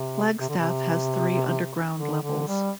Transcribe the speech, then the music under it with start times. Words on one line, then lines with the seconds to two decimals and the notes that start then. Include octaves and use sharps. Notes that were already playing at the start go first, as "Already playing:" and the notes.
Flagstaff has three underground levels.
Already playing: C3
0.40 C3
0.49 D3
0.58 C3
1.96 D3
2.22 D3
2.48 G3